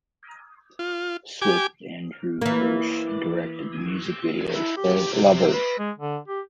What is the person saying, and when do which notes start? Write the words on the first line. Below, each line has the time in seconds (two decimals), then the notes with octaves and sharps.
Swift and Drew Kirsch directed the music video for "Lover".
0.79 F4
1.42 G4 G#5 D6
2.41 E3 A#3
4.54 E4
4.77 G4
5.13 C3
5.53 B4
5.79 G#3
5.98 D3
6.28 G4